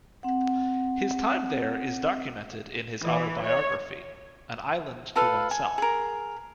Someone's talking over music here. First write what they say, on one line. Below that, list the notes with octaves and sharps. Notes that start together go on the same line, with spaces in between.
His time there is documented in his autobiography, "An Island To Oneself".
C4 F#5
E3
C#5
F4 A4 B4 F5
G#5
G#4 A#4